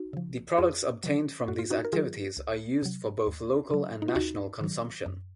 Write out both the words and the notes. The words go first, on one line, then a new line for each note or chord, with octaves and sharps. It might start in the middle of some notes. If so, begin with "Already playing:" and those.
The products obtained from these activities are used for both local and national consumption.
Already playing: D#4 F#4
C#3 F3
F2 F4 G#4
D#3 F#3
F#2 F#4
F4
D#4 F#4
A#4
D#3 F#3 F4 G#4
C#2
C3 F#3
D#2
C#3 F#3
D#4
F4
D#2 D#4 F#4
D#3 F#3
F#2